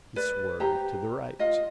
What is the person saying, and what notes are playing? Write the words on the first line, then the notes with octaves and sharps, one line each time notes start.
He swerved to the right.
B4 D5
G4 C5 A#5
F4 D#5